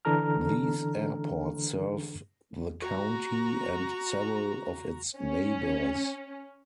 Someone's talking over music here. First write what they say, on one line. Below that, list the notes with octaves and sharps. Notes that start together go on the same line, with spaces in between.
These airports serve the county and several of its neighbours.
D3 E3 D4 A4 A#5 F6
F#4 A#5
C#4